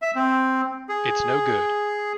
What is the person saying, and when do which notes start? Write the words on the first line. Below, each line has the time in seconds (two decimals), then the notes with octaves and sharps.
It's no good.
0.02 E5
0.15 C4
0.89 G#4